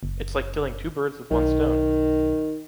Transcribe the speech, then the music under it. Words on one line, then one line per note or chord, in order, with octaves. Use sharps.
It’s like killing two birds with one stone.
F#1
B1 D#3